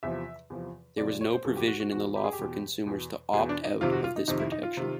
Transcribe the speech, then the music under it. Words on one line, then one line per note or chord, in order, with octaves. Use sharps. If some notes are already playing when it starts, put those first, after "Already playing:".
There was no provision in the law for consumers to 'opt-out' of this protection.
E2 C3 F3 E5
E2 C3 F3
E2 C3 F3 D5
D5
C#5
C5
E2 C3 F3 A4
F#4
G4
F#4
F#4
E2 B2 F#4
G4
G#4
G4
E2 B2
E2 B2
E2 B2 G#4
D4
D#4
F2 C3 D#3 F4
F#4
F4
D#4
F2 C3 D#3 D#4
E4
D#4
F4
C3 D#3